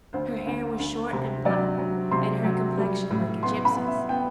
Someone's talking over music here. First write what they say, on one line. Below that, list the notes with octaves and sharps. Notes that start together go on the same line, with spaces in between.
Her hair was short and black, and her complexion like a gypsy's.
D2 C5
D2
D2
C3
F#3 D5
F#3
C3 C6
F#3
G3
A2
B3 C6
B5
B3
E5
B3 G5